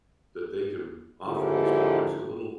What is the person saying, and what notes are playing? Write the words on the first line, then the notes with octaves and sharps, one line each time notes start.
that they can offer these products a little,
D#2 G#2 D3 F3 E4 G4